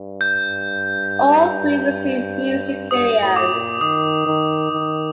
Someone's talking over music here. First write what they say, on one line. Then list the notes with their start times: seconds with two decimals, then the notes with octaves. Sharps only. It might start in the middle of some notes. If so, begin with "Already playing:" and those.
All three received music videos.
Already playing: G2
0.21 G6
2.91 G2 D#6
3.21 A2
3.36 D6
3.51 A#2
3.81 D#3 D#6
4.26 D#3
4.71 D#3